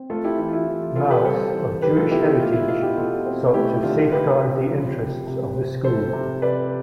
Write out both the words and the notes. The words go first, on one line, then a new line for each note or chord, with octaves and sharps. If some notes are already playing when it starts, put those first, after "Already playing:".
Mauss, of Jewish heritage, sought to "safeguard the interests" of the school.
Already playing: C4
A3 F4 A4
E4 G4
E3 E4
F4
E4
E3 F4
C4 F4 A4
G4 B4
G3 A4 C5
E3
E3 G4 B4
F4 A4
B3 E4 G4
E4 G4
A3 F4
E4
B2 F4
E4 G4
B2 F4 A4
C4
A3 E4 G4
D3 F4
D3 G4 B4
C4
F3
C3
C3
C4
F3 A4 C5
C3
C3 B4 D5